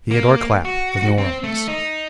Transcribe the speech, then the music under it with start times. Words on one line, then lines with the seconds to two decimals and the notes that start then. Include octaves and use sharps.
Theodore Clapp, of New Orleans.
0.11 A#3
0.65 F#4
1.18 C4
1.44 A3
1.68 D#4